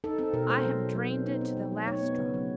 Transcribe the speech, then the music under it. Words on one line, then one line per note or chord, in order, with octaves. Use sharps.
I have drained it to the last drop.
D#4 A4
C4 A4
B2 A#4
G#3 C5
F#3
D#4
F#3
B3
D#4
C4
F#3
A3
D#4 C#5
B3
C#3
F#3